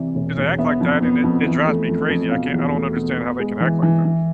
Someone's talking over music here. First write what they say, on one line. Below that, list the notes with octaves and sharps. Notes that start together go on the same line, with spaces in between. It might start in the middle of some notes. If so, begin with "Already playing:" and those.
'Cause they act like that, and it it drives me crazy. I can't I don't understand how they can act like that.
Already playing: C3 E3 D5
E1
E1
B3 E5
F2
B3
F2
E3
A3
F2
F2
B2 F5
E2
A3
B2
B3
G#3
E3
E3
E3